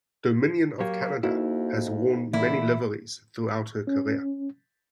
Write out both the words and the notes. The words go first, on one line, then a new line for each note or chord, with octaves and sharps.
"Dominion of Canada" has worn many liveries throughout her career.
F#3 A#3 G4 C#5
F2 A#3 D#4 E4 F#4
D#4
A#2 D3 E3 A#3 E4
C#4